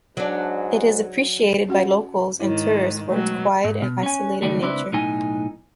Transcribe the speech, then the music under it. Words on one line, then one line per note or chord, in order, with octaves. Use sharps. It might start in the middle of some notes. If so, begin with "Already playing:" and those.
It is appreciated by locals and tourists for its quiet and isolated nature.
G#2 F#3 D4
C#4 F#4 F#5
G#2 D#3 E4 C#5
B2 F#3 G#3 A3
G#2
B2
C#4 G#5
C#2 D#3 G3 A3
C#2 C4 D4 E4 B4
B1 A2 D#4 G#5